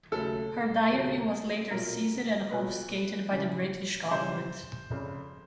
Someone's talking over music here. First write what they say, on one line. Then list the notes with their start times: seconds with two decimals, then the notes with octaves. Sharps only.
Her diary was later seized and confiscated by the British government.
0.11 D#2 C#3 F#3 A3 A4
0.92 D#2 C#3 F#3 A3
1.71 B1 A#2 F#3 A#4
2.51 B1 A#2 F#3 B4
3.31 C#2 C#3 E3 G3
4.11 C#2 C#3 E3 G3 C5
4.91 F1 F2 C#3